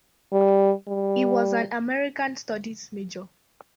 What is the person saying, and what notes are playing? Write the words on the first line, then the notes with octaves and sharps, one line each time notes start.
He was an American Studies major.
G3
G3